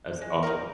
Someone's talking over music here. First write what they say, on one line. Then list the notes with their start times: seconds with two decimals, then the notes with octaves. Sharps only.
That's awesome
0.21 G#3
0.43 D#4 A#4